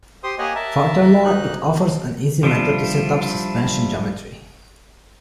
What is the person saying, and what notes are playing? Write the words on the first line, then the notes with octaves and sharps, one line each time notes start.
Furthermore, it offers an easy method to set suspension geometry.
G4 C5 C6 D#6
A#3 G4 C#5 D#5 F#5 G#5
A#4 E5 A5
D2 G#2 F#3 D#4 F#6
B2
F3 G3 D4 E4 F4